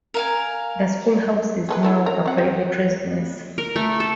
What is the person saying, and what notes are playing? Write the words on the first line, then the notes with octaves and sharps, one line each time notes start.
The school house is now a private residence.
A#4 F5 G#5
G#4 A4 B4
E4 A4 A#4
A#4
C4 F#5
G4
A#4
A3
A4